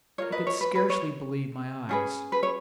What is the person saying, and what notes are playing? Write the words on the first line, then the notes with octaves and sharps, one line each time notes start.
I could scarcely believe my eyes.
F4 A#4 C#5
B4 D#5
C#5
B4
B4
C#5
C#4 G#4 B4
B4
C#5